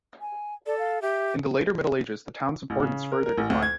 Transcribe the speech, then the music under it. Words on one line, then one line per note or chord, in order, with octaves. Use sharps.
In the later Middle Ages the town's importance further declined.
G#5
A4 D5
F5
G4 E5
A1
C#3
A#4
A#4
A1
D2
G#6